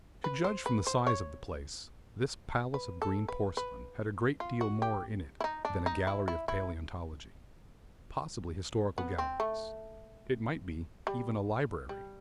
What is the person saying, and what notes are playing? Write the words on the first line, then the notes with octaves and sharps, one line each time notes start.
'To judge from the size of the place, this Palace of Green Porcelain had a great deal more in it than a Gallery of Palaeontology; possibly historical galleries; it might be, even a library!
B4
C5
B4
C5
C#5
B4
A4
B4
B4
F4
F#4
G4
E4
D#4
D4
D#4
E4
E4
E4
B3
C4
A3
G3
G3